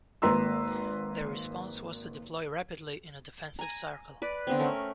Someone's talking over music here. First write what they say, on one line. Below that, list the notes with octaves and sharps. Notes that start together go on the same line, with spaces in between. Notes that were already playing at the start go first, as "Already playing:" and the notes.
Their response was to deploy rapidly in a defensive circle.
G#1 A#3 B4 A#5 C6 E6
G#5 A#5
B4 D5
D3 B3 C4
A3 C#4 A#4